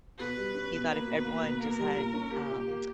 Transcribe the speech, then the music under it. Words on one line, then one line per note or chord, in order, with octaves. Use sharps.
He thought if everyone just had, um,
B2 B4
G3
C#4
B2
A#3 B4
B2
A#3
B2
A#3 A#4
G3
A#2
C#4
A#3 G4
A#2
A#3